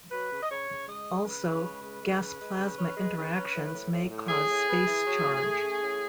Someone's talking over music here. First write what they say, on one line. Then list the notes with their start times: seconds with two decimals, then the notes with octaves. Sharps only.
Also, gas plasma interactions may cause space charge.
0.10 F#3 B4
0.30 C#3
0.42 D#5
0.48 C#3 C#5
0.67 C#3
0.86 G#3 D#5
1.05 C#3
1.24 C#3 B4
1.44 C#3
1.63 G#3
1.81 C#3
2.01 G#3
2.20 C#3
2.39 G#3
2.57 C#3
2.77 C#4
2.96 G#3
3.15 C#3
3.33 C#4
3.54 A2
3.72 A2
3.91 A2
4.10 A2
4.28 A2 G#4
4.47 A2
4.66 B3
4.85 E3
5.04 F#3
5.25 A2
5.43 A3
5.62 C#4
5.81 A2